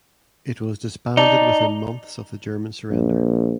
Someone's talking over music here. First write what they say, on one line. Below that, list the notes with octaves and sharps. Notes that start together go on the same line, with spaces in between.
It was disbanded within months of the German surrender.
D#4 D5 A5
A#1